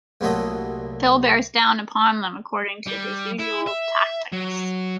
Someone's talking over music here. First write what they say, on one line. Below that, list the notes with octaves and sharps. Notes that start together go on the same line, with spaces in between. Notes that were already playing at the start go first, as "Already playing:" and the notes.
Phil bears down upon them according to his usual tactics.
C2 A#2 F#3 A3 D#5
G3
E4
E5
F#3